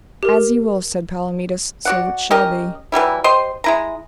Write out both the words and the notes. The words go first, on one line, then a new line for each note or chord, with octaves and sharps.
As ye will, said Palomides, so it shall be.
G4 A#4
F#4 D5 F#5
C#4 G4 A#4 D#5
E3 F#3 G3 E4
G4 C5 D#5 C6
G#3 E4 A#5